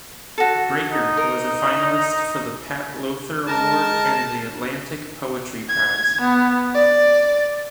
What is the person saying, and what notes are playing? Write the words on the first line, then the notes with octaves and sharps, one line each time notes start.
"Breaker" was a finalist for the Pat Lowther Award and the Atlantic Poetry Prize.
F#4 A4
D#4
A#4
G#3 A#4 A5
G#6
B3
D5